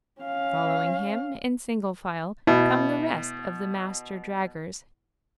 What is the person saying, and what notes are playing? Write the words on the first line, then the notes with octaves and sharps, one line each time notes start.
Following him, in single file, come the rest of the Master Draggers.
C#4 F5
B2 E4